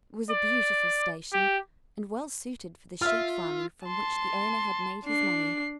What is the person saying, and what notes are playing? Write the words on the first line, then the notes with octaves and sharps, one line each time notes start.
It was a beautiful station and well suited for the sheep farming from which the owner had made his money.
D5
G4
F4 E5 F6
A5 C6
D4 C7